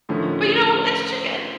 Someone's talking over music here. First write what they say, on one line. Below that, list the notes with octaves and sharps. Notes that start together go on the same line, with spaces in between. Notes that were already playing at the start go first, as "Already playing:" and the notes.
But, you know, it's chicken.
A2 D3 D#3 F3 A3 C#4